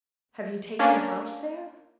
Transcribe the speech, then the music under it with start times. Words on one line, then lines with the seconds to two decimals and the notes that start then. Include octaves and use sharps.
Have you taken a house there?'
0.79 A#3 C#4 D4